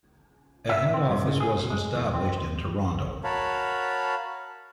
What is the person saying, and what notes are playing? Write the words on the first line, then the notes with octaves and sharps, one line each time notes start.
A head office was established in Toronto.
E5
C4
G2
C#3
G#4
B2
G#3
E2
C4
F#4 A#4 C#5 F5 A5 B5